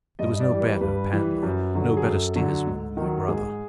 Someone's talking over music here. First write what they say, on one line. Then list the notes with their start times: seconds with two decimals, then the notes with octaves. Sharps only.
There was no better paddler, no better steersman than my brother.
0.19 G2 D#5
0.34 D#5
0.40 D5
0.50 E3 G3
0.60 B4
0.81 G2 B4
1.12 E3 G3
1.43 F#2
1.74 D3 F#3
1.97 G#4
2.04 F#2 A4
2.36 D3 F#3
2.67 G#2
2.97 D#3 F#3
3.28 G#2 G#4